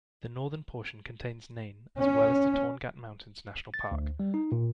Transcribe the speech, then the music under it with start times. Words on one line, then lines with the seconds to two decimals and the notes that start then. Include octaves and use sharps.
The northern portion contains Nain as well as the Torngat Mountains National Park.
1.98 C#4
3.74 A6
3.92 D2
4.20 G3
4.34 D#4
4.52 A#2